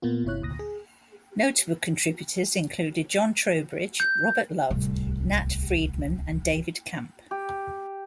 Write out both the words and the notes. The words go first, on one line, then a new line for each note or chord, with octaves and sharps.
Notable contributors included Jon Trowbridge, Robert Love, Nat Friedman and David Camp.
A#2 A#3 B3 F4
G1 C3 E4 C#5 F#6
D2 A#2 D#6 A#6
G#4
G6
D1 C2
G4